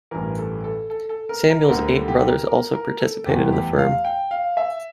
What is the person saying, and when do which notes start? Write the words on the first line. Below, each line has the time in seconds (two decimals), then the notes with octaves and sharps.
Samuel's eight brothers also participated in the firm.
0.11 A1 G2 E3 A#4
0.38 A4
0.64 A4
0.90 A4
1.09 A4
1.29 A#4
1.49 A#4
1.68 D2 D3 G3 A#4
1.88 A4
2.08 G4
2.28 A#4
2.47 A#4
2.73 A#4
3.00 A4
3.26 F1 E2 E3 G3 G4
3.52 G4
3.79 F5
4.05 G5
4.31 F5
4.57 E5